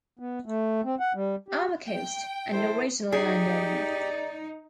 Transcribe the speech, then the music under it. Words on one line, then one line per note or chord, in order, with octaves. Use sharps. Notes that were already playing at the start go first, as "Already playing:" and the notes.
Armacost, an original landowner.
B3
A3
C4
F#5
G3
G4
G5
E4 A4 C5
D#4 G4 G#4 D5